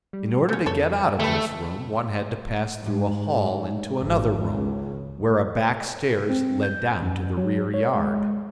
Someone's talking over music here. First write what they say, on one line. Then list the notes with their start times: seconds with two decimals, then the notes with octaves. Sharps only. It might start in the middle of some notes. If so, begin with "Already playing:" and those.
In order to get out of this room one had to pass through a hall into another room, where a back stairs led down to the rear yard.
0.13 G3
0.49 D3 C#4
0.66 F2 A4 C#5
1.20 D3 A3 G4 B4
2.81 G#2
4.00 G#1
4.49 C#2
6.29 C4
6.63 G6
7.02 F#2
7.37 F#3
7.74 C#5
7.96 G#3